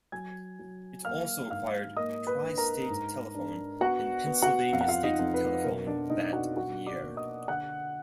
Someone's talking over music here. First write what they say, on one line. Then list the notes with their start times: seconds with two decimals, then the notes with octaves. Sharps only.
It also acquired Tri-State Telephone and Pennsylvania State Telephone that year.
0.12 F#3 G#5 G#6
0.59 F#3
1.05 A#3 F5 F6
1.50 G#2 F5 F6
1.97 A#3 D#5 D#6
2.27 B4 B5
2.43 D4
2.58 A#4 A#5
2.89 G#2
3.35 D4
3.80 B3 F#4 F#5
4.26 B3
4.42 F#4 F#5
4.72 F2 F5
4.81 F#5
4.88 F4 F5
5.04 D#4 D#5
5.19 F2
5.34 B4
5.64 B2 A#4
5.87 D4 D5
6.10 B2 D#4 D#5
6.33 F#4 F#5
6.56 D4 F#4 F#5
6.87 D5 D6
7.03 A#3
7.17 D#5 D#6
7.48 D3 F#5 F#6